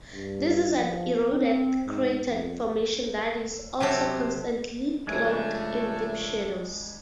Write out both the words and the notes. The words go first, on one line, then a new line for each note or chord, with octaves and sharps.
This is an eroded crater formation that is almost constantly cloaked in deep shadows.
G2
F3
C4
G#2
F2
C3 F#3 G4 A4
C#3 F3 G#3 A3 D4 G#5